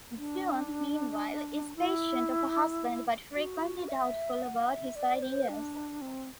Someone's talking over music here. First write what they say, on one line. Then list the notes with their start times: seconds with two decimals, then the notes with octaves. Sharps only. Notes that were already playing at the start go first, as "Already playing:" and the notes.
June, meanwhile, is patient of her husband, but frequently doubtful about his ideas.
0.17 D4
1.76 E4
3.36 F#4
3.88 E5
4.42 F#5
4.68 E5
4.96 D5
5.22 C5
5.49 D4
6.01 C4